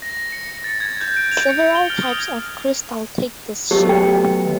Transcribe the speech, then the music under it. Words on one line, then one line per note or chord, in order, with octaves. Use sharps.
Several types of crystal take this shape.
A#6
C#7
A#6
A6
G#6
G6
D7
F7
C#7
G7
F6
D#6
F#3 A3 B3 G4
G5
D#2